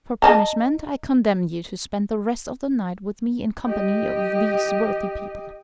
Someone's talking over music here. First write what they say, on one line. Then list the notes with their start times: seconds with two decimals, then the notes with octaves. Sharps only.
For punishment I condemn you to spend the rest of the night with me in company of these worthy people.
0.22 D#5 A5 A#5
3.64 G4 D#5